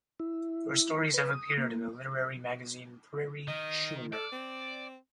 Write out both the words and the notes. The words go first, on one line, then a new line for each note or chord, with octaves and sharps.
Her stories have appeared in the literary magazine Prairie Schooner.
E4
B4
D#6
A#3
D#3 D#5
A4 D5
C4